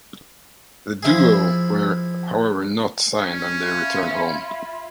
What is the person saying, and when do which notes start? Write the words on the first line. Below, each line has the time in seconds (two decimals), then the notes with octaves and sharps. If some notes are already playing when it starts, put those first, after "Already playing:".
The duo were however not signed and they returned home.
1.03 F3 E4 G#4
3.19 C#4
3.60 F4 E5 B5